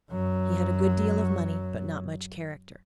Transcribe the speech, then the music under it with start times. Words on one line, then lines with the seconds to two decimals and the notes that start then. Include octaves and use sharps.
He had a good deal of money but not much character.
0.11 F#2 F#3